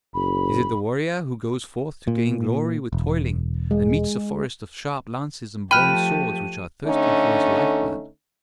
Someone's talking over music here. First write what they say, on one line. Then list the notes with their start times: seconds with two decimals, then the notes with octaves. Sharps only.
Is it the warrior who goes forth to gain glory with toiling, and meets a forest of sharp lances and bronze swords which are thirsting for his life blood?
0.14 F#1 B5
2.08 A#2
2.93 E1
3.71 G#3
5.71 F3 A3 G4 G5 B5 F6 F#6 D#7
6.86 D3 A3 C#4 D#4